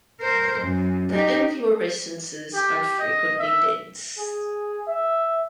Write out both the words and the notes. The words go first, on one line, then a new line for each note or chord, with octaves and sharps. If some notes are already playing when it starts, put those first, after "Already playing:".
The inflorescences are frequently dense.
A#4 C5
F#2
D#4 G4
G4
D#5
E5
G#4
E5